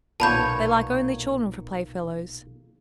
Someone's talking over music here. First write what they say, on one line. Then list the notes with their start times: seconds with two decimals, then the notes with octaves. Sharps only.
They like only children for playfellows.
0.20 B1 A#2 A#3 B3 C#5 A5 B5 G6